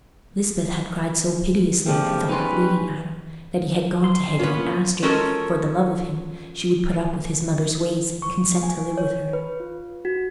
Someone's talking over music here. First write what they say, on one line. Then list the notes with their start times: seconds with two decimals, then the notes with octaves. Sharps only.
Lisbeth had cried so piteously at the thought of leaving Adam that he had gone to Hetty and asked her if, for the love of him, she would put up with his mother's ways and consent to live with her.
1.86 C#3 F3 A3 B3 G4 G#4 D5
2.29 C#4 D#4 G4 B4 C6
4.04 C6
4.40 A#3 B3 C#4 F4 B4
5.02 G#3 C#4 F4 F#4 A4 A#4
8.22 C#6
8.63 G#5
8.98 C#5
9.33 B4
9.60 F4
10.05 F#4